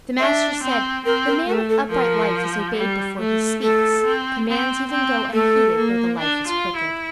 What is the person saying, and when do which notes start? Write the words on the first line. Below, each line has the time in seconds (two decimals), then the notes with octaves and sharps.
The Master said, The man of upright life is obeyed before he speaks; commands even go unheeded when the life is crooked.
0.20 D4 E5
0.63 C4
1.06 C4 A#4
1.27 A#4
1.48 A3 A#4
1.69 A4
1.91 F3 A#4
2.76 G3
3.19 A3
3.62 A3 A4
4.05 C4
4.48 C4
4.91 C4
5.33 A3 A4
5.76 A#3
6.19 D4
6.47 F4
6.76 E4